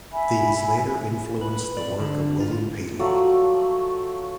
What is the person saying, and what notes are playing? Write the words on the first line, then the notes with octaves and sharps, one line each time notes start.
These later influenced the work of William Paley.
E5 G#5 B5
B4
D5
D3
F4
F3 F#3 A3 D5